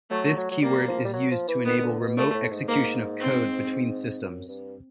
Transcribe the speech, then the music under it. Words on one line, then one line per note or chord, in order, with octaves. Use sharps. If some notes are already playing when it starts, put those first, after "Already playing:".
This keyword is used to enable remote execution of code between systems.
F#3 A3
F#3
F#3
G3 A#3
F3
G3
F#3
F3
E3
D#3 B3
D#3
D3
B2
A#2 A3
A2
G#2
G#2 A#3
C4
F#2
G2